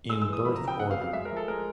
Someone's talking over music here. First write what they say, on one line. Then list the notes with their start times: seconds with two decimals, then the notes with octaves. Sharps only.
In birth order.
0.10 G#3 E6
0.22 E6
0.27 E3
0.33 D#6
0.45 F3 B5
0.56 A#5
0.62 C#3
0.68 G5
0.79 B3 F#5
0.91 F5
0.96 F#3
1.02 F5
1.13 G#3 E5
1.25 A#4
1.31 F3
1.37 A4
1.48 G#3 A#4